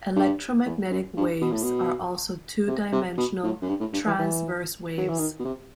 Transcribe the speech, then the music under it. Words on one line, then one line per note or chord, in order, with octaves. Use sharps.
Electromagnetic waves are also two-dimensional transverse waves.
G2
E2
F#2
G2
B2
A2
B2
C3
C3
B2
A2
F#2
G2
A2
G2
E3
E3
F#3
E3
D#3
B2
C3